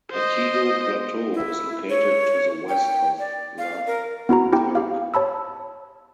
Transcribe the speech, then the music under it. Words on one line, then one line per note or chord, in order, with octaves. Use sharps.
Pettigo Plateau is located to the west of Lough Derg.
C5 D#5
E4
C#5
G5
D5
F5
A#4
B3 E4 F#4 A#5
E4 G4 G5
G4 F5
C#5 A5 B5 E6